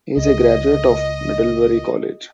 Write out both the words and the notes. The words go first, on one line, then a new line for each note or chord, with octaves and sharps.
He is a graduate of Middlebury College.
C#2 D#5